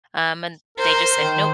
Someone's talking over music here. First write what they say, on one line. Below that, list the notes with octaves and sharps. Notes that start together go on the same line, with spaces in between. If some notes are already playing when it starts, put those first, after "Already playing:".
Um, and they just said, nope.
A#4 C5
D#3